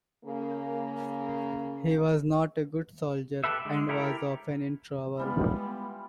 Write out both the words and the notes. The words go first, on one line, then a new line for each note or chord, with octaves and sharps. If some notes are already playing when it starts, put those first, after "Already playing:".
He was not a good soldier, and was often in trouble.
C#3 A#3
G4 A4 B4 E5
D3 G#3
E4 G4 A4 A#4
E3 G3 G#3 B3 F4